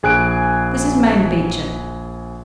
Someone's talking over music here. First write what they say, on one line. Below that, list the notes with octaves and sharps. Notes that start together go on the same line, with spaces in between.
This is Mame Beecher.
A#1 G#4 G#5 F#6 G#6 D7